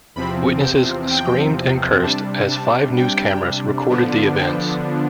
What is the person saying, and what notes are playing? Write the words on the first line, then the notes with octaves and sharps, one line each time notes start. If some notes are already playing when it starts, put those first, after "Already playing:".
Witnesses screamed and cursed as five news cameras recorded the events.
E2 C3 F3 C4 B5
G5
G5
C3 G3 D4 A5
A5
G5
D3 F3 B3 D4
G5